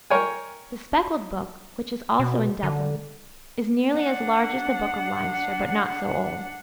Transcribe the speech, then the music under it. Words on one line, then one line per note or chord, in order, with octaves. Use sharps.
The Speckled Book, which is also in Dublin, is nearly as large as the Book of Leinster, but not so old.
A#4 C#5 G5 G#5
B2
D3
D4 F#5